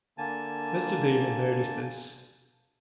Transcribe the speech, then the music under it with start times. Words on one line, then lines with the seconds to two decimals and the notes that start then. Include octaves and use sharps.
Mr. Damon noticed this.
0.18 D3 A#3 G#5 A5